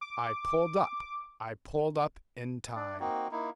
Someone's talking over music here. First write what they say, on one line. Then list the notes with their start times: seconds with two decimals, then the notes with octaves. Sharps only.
I pulled up; I pulled up in time.
0.01 D6
2.76 D4 D5
3.00 A#3 C4 D#4 F#4
3.31 A#3 D#4 E4